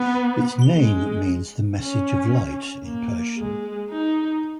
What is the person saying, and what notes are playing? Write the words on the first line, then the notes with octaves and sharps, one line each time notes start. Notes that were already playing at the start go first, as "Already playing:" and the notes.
Its name means "The message of Light" in Persian.
Already playing: B3
G#3
C#4
A#3
G#3
D#4